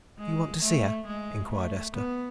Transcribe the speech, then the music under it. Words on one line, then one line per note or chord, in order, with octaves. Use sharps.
"You want to see her?" inquired Esther.
G#3
A3
G#3
A3
B3